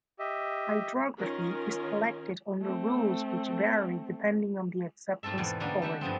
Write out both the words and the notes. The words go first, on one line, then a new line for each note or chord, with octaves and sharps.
Hydrography is collected under rules which vary depending on the acceptance authority.
G4 D#5 E5
D#3 C#4 F4 A#4
A3 C4
G#2 A3 C4 A4 E5
E2 B2 B4 D5
D3 G3 A#3 B3 C#4 D4
A3 G4 E5 F#5
G2 F3 B3 C4